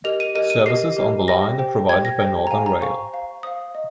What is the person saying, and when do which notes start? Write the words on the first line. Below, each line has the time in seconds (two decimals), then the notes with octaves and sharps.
Services on the line are provided by Northern Rail.
0.04 G4 A#4 D#5 F7
0.20 D#7
0.35 G4 A#4 D#5 D#7
0.50 D#7
0.66 G4 A#4 D#5 C7
0.97 G4 A#4 D#5
1.28 G4 C5 G5 A#6
1.59 G4 C5 G5
1.89 G4 C5 G5 G#6
2.05 A#6
2.20 G4 C5 G5
2.47 A#5
2.51 C5 F5 G#5
2.66 A#5
2.82 C5 F5 C#6
3.13 C5 F5
3.43 C5 F5 D#6
3.75 D#5